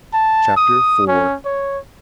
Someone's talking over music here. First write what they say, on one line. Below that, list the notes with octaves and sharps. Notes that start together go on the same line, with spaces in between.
Chapter IV.
A5
D#6
C#4
C#5